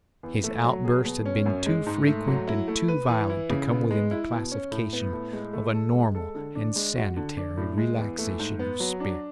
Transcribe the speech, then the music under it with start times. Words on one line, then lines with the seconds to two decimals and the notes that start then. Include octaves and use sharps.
His outbursts had been too frequent and too violent to come within the classification of a normal and sanitary relaxation of spirit.
0.23 E2
0.44 A3
0.64 F#3
0.85 G#4
1.05 B2
1.25 C#4
1.46 F#2
1.66 G#3
1.86 G#2
2.07 A3
2.27 F#3
2.47 E4
2.68 A3
2.88 B4
3.09 E3
3.30 E4
3.50 C#3
3.70 B3
3.91 G#3
4.11 E4
4.31 B2
4.52 C#4
4.72 A2
4.93 B3
5.13 A2
5.33 G#3
5.53 A3
5.74 A4
5.94 G#3
6.15 A4
6.35 D3
6.55 D4
6.76 G#3
6.96 F#4
7.17 D3
7.37 D4
7.57 A2
7.78 G#3
7.98 E2
8.18 A3
8.39 G#2
8.59 B3
8.80 F#3
9.00 D4